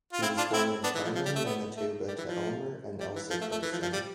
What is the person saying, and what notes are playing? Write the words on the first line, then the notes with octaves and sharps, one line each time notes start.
He was born in Carman, Manitoba to Elmer and Elsa Carson.
F4
C4 E4
D4 F4
C4 E4
B3 D4
E3
F3
F3
G3
A3
B3
A3
G3
E3
F3
G3
E3
F3
A3
A3
E3
F3
F3
G3